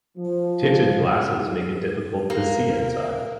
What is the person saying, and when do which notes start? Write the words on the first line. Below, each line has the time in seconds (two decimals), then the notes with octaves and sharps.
Tinted glasses make it difficult to see inside.
0.17 F3
2.30 A#3